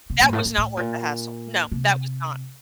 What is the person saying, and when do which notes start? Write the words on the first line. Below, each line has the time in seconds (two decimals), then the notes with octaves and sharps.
That was not worth the hassle. No. That was not.
0.10 C3
0.20 A#2
0.28 G2
0.33 A2
0.45 A2
0.58 A2
0.77 A#2
1.72 C3